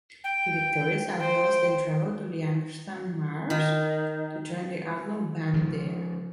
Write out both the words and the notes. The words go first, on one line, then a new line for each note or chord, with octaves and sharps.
The victorious outlaws then travel to Liangshan Marsh to join the outlaw band there.
G5
C5 G5
D#3
C#3 F3